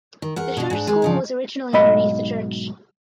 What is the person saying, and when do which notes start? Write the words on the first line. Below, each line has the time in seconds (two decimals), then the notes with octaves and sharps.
The Church school was originally underneath the church.
0.22 D#3
0.36 E2 A#4 F#5
0.57 B2 D4
0.70 G#2 D4
0.87 D#2 G#3
1.02 G#2 C#3 F3
1.73 B1 G#2 D#5 B5